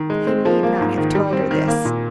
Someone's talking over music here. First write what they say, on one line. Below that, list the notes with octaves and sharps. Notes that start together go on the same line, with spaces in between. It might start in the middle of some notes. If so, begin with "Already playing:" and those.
He need not have told her this.
Already playing: D#3
G#3
C4
F3
A#3
G#2
D#3
G3
C4
D#3
A#3
A#2